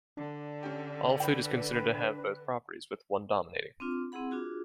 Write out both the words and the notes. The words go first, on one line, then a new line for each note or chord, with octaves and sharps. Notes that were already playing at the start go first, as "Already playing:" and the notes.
All food is considered to have both properties, with one dominating.
D3 D4
C#4 G4
B4 G5 B5
C4 D4 F4
C4 E4 G#4 F#5 B5
D4 F4 F#4 G#4